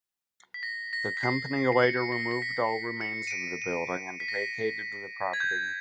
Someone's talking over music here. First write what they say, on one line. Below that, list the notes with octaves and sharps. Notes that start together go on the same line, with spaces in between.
The company later removed all remains of the building and vacated the property.
B6
A#6
A#6
B6
C7
C7
C#7
A#6
A#6
A#6
B6
C#7
D#7
D7
D#7
B6
A#6
B6
G#6
G6